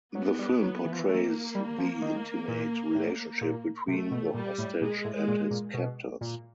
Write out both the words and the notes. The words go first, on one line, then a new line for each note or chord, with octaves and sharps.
The film portrays the "intimate" relationship between the hostage and his captors.
F#3 B3
G3
F#3
E3
F3
E3
A3 A#3
G3
F3
D#3
A#2
A2
A#2
C3 A3
B2
A#2 G3
A2
A#2 G#3
A2
G#3
A#2
A#2
B2
A#2